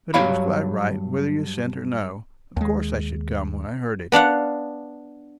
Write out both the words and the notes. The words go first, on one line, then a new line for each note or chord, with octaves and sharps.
But it was quite right, whether you sent or no. Of course I should come when I heard it.
G2 F#3 C#5 F5 B5
D#2 G#3
B3 D4 F5 F#5